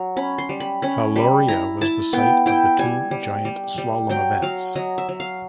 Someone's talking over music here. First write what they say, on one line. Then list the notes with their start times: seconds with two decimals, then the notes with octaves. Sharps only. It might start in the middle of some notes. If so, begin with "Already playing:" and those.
Faloria was the site of the two giant slalom events.
Already playing: F#3
0.16 C#4 B5
0.38 C6
0.49 G3
0.60 B5
0.82 C#4 B5
1.16 G3 B5
1.48 E4 A#5
1.81 E4 A5
2.13 B3 G5
2.46 E4 G5
2.79 G3 G#5
3.11 G3
3.45 G3
3.78 G3
4.09 F#3 G5
4.42 F#3 F5
4.75 F#3 D#5
4.98 E5
5.09 F#3
5.20 F5